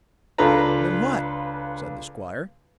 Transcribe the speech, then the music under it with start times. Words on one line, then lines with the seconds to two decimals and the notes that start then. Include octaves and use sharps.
"Than what?" said the Squire.
0.38 C#2 D4 F4 A4 B4 A#5